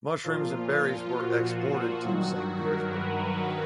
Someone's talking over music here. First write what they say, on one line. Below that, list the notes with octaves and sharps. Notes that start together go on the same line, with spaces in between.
Mushrooms and berries were exported to Saint Petersburg.
A#2 F3 F4
F#4
G2 D#3 F#3 F#4
F#4
A#4
B4